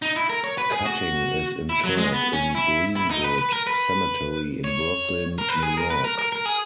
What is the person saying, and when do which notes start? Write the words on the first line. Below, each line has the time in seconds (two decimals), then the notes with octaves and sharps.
Cutting is interred in Green-Wood Cemetery in Brooklyn, New York.
0.02 D#4
0.16 E4
0.30 A#4
0.44 C#5
0.58 B4
0.72 G#4
0.86 F#4
1.69 E4
1.84 F#3
1.97 G#3
2.12 B3
2.33 C#4
2.55 E4
2.96 E4
3.11 D#4
3.24 B4
3.38 B4
3.52 A#4
3.67 B4
4.64 C#5
5.38 A#4
5.49 B4
5.63 G#4
5.77 A#4
5.90 B4
6.04 A#4
6.19 A#4
6.32 A#4
6.45 G#4